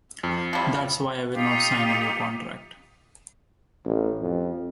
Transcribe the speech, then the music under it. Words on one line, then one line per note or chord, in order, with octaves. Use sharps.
That's why I will not sign a new contract.
F2
F3 G3 E4
D#4 F4 G4
A1
F2